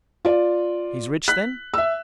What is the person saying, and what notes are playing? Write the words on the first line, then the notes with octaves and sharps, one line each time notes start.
"He is rich, then?"
F4 D5
F#6 B6
E5 E6